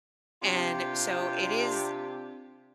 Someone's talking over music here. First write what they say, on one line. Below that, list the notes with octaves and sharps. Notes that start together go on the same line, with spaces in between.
and, so, it is
C3 D4 F4 G4